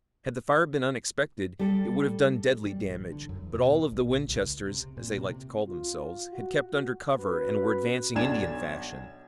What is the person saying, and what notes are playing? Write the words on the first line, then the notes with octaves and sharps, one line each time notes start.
Had the fire been unexpected it would have done deadly damage, but all of the Winchesters, as they liked to call themselves, had kept under cover, and were advancing Indian fashion.
G3 A4
G3
A1
D3
F#2
E2
B2
A#1
C#2
C3
A#2
C3
F4
F#4
C#4 F#4 B4
B1 D4 G#6 E7